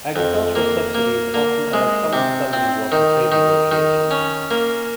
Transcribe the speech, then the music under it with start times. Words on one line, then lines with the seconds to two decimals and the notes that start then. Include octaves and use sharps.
Agricultural subsidies often are a common stumbling block in trade negotiations.
0.16 F2
0.55 A#3
0.95 A#3
1.34 A#3
1.73 G#3
2.13 C3
2.53 C4
2.92 D#3
3.32 D#3
3.71 D#3
4.11 C#4
4.51 A#3